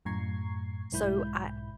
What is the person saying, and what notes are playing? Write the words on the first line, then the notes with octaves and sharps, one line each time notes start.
so I
F#2 A2 A#5 C#6 G#6 C7
B1 G#2 E4 B5 G6